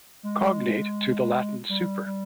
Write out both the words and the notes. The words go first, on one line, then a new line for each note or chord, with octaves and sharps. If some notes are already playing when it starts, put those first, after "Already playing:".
Cognate to the latin super.
G#3
G3
G3